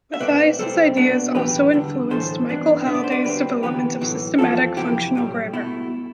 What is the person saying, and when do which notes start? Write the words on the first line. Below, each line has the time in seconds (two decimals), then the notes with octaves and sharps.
Mathesius's ideas also influenced Michael Halliday's development of systemic functional grammar.
0.14 E5
0.20 B2 A3 C4 B4 D5
0.59 C2 C3 G3 C4 A4 C5
0.97 B2 B3 D4
1.35 B1 A2 E3 G4 B4
1.73 E2 D3 G3
2.10 B1 A2 E3 A3 A4 C5
2.49 G2 E3 B3 D4
2.86 B2 B3 D4 E5
2.95 D5
3.04 C5
3.12 B4 D5
3.24 D2 D3 G3 C4 G4 B4
3.63 D2 C3 E3 B3 G4 B4
4.01 B1 A2 E3
4.39 F2 E3 A3 C4 F4 A4
4.77 F2 C3 E3 E4 G4
5.15 B1 A2 G3
5.53 B2 A3 E4